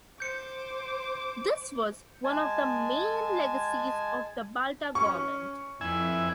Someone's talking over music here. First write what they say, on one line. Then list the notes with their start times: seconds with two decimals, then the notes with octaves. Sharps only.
This was one of the main legacies of the Balta government.
0.20 C5 D6 G6 C#7
2.24 G#3 G#5 A5
4.95 C#4 C#6
5.81 F2 E4 E5 G#5